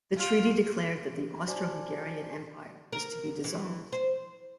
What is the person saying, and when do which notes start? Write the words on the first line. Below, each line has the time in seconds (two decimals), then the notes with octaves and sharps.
The treaty declared that the Austro-Hungarian Empire was to be dissolved.
0.17 F4
1.46 E4 F#4 C5 D5 G#5 A5
2.93 A#4
3.44 E3
3.93 C5